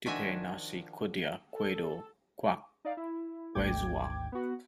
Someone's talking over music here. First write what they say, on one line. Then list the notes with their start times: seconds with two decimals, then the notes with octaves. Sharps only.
Tipei nhasi kudya kwedu kwakwezuva.
0.06 D#3 F3 D4 F#4 E5 G#5
1.54 A4
2.85 D#4 D5 F5
2.97 E4
3.55 G#1 D2 G#2 G5 D6 G#6
4.32 B3 F#4